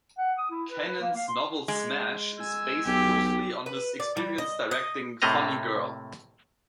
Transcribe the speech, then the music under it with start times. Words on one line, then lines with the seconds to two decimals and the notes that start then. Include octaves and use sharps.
Kanin's novel "Smash" is based loosely on his experience directing "Funny Girl".
0.18 F#5
0.38 D#6
0.50 E4
0.70 B4
0.88 B4
1.02 A#3
1.16 F5
1.28 C6
1.68 G#3
2.40 G#5 E6
2.86 B1 G4
3.66 B4
4.00 D5
4.17 G3
4.38 D#5
4.71 D#5
5.22 A2 C3 A3 A#3 D#5 A#5